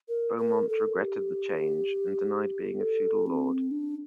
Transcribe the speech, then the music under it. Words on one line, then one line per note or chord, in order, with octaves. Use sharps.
Beaumont regretted the change and denied being a feudal lord.
A#4
A#4
A4
G4
A4
C4
D4